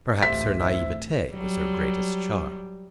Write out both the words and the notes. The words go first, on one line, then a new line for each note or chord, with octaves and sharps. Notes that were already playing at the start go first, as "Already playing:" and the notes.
Perhaps her naivete was her greatest charm.
A1 D2 G4 C5 E5 B6
C4 E4 E5
F#3 G3